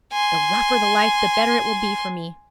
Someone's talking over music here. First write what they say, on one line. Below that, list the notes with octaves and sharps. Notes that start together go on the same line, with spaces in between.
The rougher the life, the better it will be for me.
G#5 C6